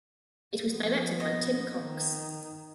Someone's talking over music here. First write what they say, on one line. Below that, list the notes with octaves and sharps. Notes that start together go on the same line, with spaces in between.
It was directed by Tim Cox.
F3 B3
D#5
D#3